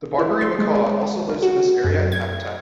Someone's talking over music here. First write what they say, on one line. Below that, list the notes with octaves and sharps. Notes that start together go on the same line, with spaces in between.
The Barbary macaque also lives in this area and habitat.
E4
C6
G#3
G#3
F#4
F#2
G#6